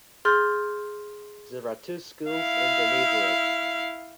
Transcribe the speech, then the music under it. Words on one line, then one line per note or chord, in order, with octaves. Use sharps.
There are two schools in the neighbourhood.
G#4 C6 F6 G6 A6
E4 F5